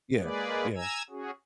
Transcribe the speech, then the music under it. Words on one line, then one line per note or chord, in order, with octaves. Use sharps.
Yeah. Yeah.
G#3 A#3 G#4 B4 D5
G#5 A#5 E6 G#6
C#4 F#4 G#4